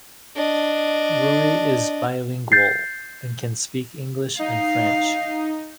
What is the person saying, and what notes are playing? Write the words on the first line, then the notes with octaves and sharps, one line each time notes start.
Roy is bilingual, and can speak English and French.
D4 D#5
G6 A6 C7
D#4 F5